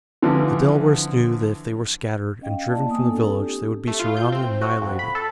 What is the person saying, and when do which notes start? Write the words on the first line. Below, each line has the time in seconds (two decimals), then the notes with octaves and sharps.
The Delawares knew that if they were scattered and driven from the village they would be surrounded and annihilated.
0.22 D3 E3 F3
2.41 C#4 D#5 F5 G5
2.69 A#3 E4 D5 A5
2.89 A#3 B3 G#5 D#6
3.10 C4 D4 F4 A4
3.44 G4
3.87 A3
3.99 F4
4.17 G6
4.32 C4
4.62 F#4
4.81 F2
4.99 B5
5.15 A4